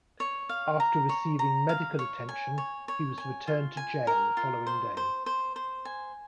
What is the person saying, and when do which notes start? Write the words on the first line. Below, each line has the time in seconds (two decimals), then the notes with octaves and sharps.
After receiving medical attention, he was returned to jail the following day.
0.20 C#5
0.49 F5
0.80 A#5
1.09 C#5
1.39 A#5
1.69 F5
1.99 C#5
2.29 G#5
2.58 C#5
2.88 C#5
3.18 G#5
3.47 F4
3.77 G#5
4.07 A#4
4.37 F4
4.67 C5
4.97 C5
5.26 C5
5.56 C5
5.85 G#5